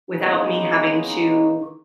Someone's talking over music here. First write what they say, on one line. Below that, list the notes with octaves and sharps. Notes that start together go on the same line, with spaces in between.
without me having to,
G#3 A#3 B3 C#4 D#4